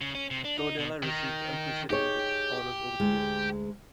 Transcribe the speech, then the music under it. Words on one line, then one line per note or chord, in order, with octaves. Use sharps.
Tordella received unprecedented honors over the years.
C#3
C#4
C3
D4
D#4
B2
D#3
D#4 G4 G#4 C#5
D2 G#3